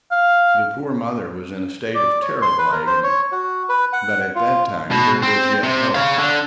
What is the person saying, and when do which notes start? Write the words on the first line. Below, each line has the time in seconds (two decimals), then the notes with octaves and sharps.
The poor mother was in a state of terrible agony, but at that time there was yet hope.
0.11 F5
1.95 D5
2.22 C#5
2.42 C6
2.58 B4
2.72 A#4
2.87 C5
3.03 C#5
3.32 F#4
3.69 B4
3.93 F#5
4.35 F4
4.91 B2
5.22 C4
5.63 C3
5.95 C#5 F5
6.18 D3